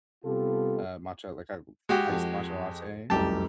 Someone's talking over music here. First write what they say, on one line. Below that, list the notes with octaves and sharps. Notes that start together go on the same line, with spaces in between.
a matcha like, a iced matcha latte,
C3 G3 B3 F4 G4 A4
G#3 F#4 G4
F2
F1 C2 F#2 G4 A5